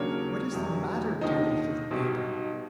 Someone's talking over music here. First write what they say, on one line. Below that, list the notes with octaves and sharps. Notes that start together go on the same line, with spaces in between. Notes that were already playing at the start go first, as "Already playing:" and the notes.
"What is the matter, dear little neighbor?"
Already playing: D#2 C#3 F#3 A#3 D4 C#5
F1 E2 B2 F#3
D#2 D3 F3 D#4 D#5
B1 B2 G3